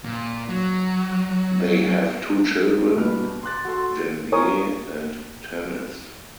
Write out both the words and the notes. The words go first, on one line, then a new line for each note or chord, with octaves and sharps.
They have two children, Janvier and Tanis.
A#2
F#3
G1 B2 G3 B4 F6
C6 D6 F#6 A6
F#4 A4 C6
A#4 C#5 G#5 D#6